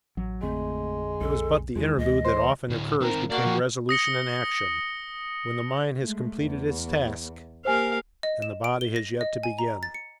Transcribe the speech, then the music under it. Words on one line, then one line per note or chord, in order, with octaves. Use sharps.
It was but the interlude that often occurs between resolution and action; when the mind has completed its task, and the body has yet to begin.
A1 F#3
F2 D3 G#3 A3 C4
B1 A4
E2 E3 G#3 E4
D2 D#5
C5
D2 A2
D#3 C4 A#4
A#3 D4 F#4
F3 G4
D#6 A#6 C#7 G7
G#3 A3
E2
A#3 G4 A#4 C5 F5 G#5
D#5
E7
D7
G7
A#6
D#5
G#5
A#5
A6
C#7